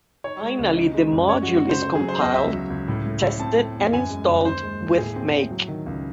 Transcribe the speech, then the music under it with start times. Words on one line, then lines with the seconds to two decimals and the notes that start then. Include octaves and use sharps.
Finally, the module is compiled, tested, and installed with make.
0.24 D#4 C#5
0.41 G#3
0.59 C#2
0.77 D#4
0.94 G#3
1.12 F#2
1.29 C#4 C#5
1.43 F#4
1.47 G#3
1.56 F#4
1.65 C#3 C5
1.82 A3 C5
1.95 G#4
2.00 F#3
2.09 C5
2.18 E2 D#5
2.34 C#2 E5
2.53 F#3
2.70 C#2
2.88 A2
3.06 A3
3.22 A2
3.40 C4 A5
3.58 A3
3.76 E2
3.93 F#2 G#5
4.10 G#3
4.29 F#2
4.45 D#2 C5
4.63 G#3
4.80 D#2
4.98 A2 G#4
5.16 C4
5.34 A2
5.51 F#3
5.68 D#3
5.86 C#2